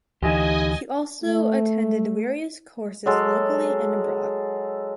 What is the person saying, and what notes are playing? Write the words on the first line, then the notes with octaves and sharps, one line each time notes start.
He also attended various courses locally and abroad.
D2 E3 D#4 G4 D#5 G#5
A3
F#3 G#3 A4